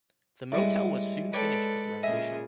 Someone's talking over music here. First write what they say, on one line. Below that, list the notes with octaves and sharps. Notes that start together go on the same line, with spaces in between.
The motel was soon finished with the renovation.
A2 G3 G#3
G#3 A4 B4 C#5 D5 G5
A#2 C#3 G#4 D#5 E5